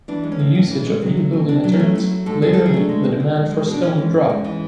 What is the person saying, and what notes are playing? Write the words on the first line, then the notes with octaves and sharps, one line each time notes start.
The usage of new building materials later made the demand for stone drop.
E3 D4
G#3
C#4
A2
A2
E3
G#3
F#3
A3
B2
B2 D4
F#3
C#4
A3
F#3 E4
A3
G#2 A4
G#2 G#4
F#3 A4
G#4
A3 D4
G#3
B2
B2
G#3
G#3
B2
D4
E3 C#4
G#3
G#2
G#2
E3